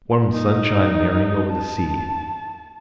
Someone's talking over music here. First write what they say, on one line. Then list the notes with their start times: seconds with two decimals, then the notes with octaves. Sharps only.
Warm sunshine merrying over the sea.
0.33 D#4
1.52 A5